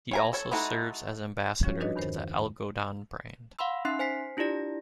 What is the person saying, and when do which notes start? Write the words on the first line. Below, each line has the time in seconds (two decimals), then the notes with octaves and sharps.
He also serves as Ambassador to the "Algodon" brand.
0.11 C#5 G#5 A#5
0.33 A4 C#5
0.51 G#3 D#4 E4 F#4 A4
1.63 F3 G3 C#4 F4 F#4 C#5
1.80 D4 D#4 F#4 B4 C#5 D#5
1.96 E2 G2 D#3 A#4 C5
3.59 F5 F#5 B5 C6 E6
3.85 C#4 D#4 E5 C6 F#6 C7
3.99 C5 G#5 B6 C7
4.37 D4 E4 F4 G4 D5 A#6